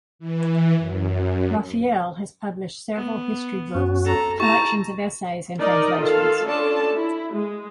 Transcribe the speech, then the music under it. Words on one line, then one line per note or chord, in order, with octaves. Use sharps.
Raphael has published several history books, collections of essays and translations.
E3
F#2
B3
F#2 C#4 F#4
A4 A#5
E4 G4 A5 A#5 C#6
D#4 A#4 D5 D#5
D#3 F4 A4 F5
C#4 D4 F4 A4 D5 A5
E4
G#3